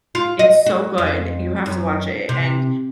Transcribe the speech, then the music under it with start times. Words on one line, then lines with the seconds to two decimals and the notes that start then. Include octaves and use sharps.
It's so good, you have to watch it and
0.15 F4
0.39 D#5
0.66 F#4
0.98 F2
1.66 F#2
2.29 C3